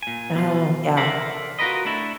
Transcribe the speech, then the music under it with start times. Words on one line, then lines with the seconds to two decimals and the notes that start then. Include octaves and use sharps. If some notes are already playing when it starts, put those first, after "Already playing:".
Oh, yeah.
0.03 A#2 G#5
0.35 B2 F4
0.97 A4 A#4 C5 D5 E5 F#5
1.59 F4 F#4 G#4 A#4 B4 D#5
1.85 A3 D4 E4 A4